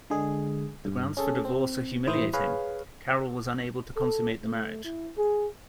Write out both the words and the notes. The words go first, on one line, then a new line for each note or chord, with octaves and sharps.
The grounds for divorce are humiliating: Karol was unable to consummate the marriage.
D3 G#3 G#4
G2
C#4 G#4 A4
C4
A2 E3 E4 C5 D#6
G#4 B4 C#5 F5
A4
A3
E4
G#4